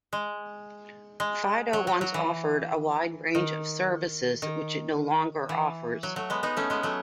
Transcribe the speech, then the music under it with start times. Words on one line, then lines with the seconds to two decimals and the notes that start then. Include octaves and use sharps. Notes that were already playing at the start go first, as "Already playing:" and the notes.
Fido once offered a wide range of services which it no longer offers.
0.13 G#3
1.20 G#3
1.73 F#3
1.87 F#3
2.01 F#3
2.14 E3
3.35 D#3
4.42 D#3
5.49 E3
6.03 F#3
6.16 F#3 A3
6.30 G#3 B3
6.43 B3 D#4
6.57 A3 C#4
6.70 G#3 B3
6.83 F#3 A3